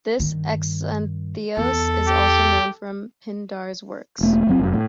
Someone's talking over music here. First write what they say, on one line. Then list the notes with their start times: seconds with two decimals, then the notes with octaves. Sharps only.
This Euxanthios is also known from Pindar's works.
0.20 G2 D#3
1.57 E2 A4
2.08 G4
4.21 E1 A3 A#3
4.47 F#1 F#3 C4
4.59 F1 F#2
4.74 A2